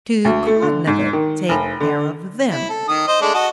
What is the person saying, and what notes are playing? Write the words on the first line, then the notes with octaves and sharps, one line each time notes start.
Two cognovits--take care of them.
D2
A3
D3
G#2
D#3
F1
D3
E4
A4
D#3 D#6
C5 D#5
G#3 A3 D4
F#4 D#5 A5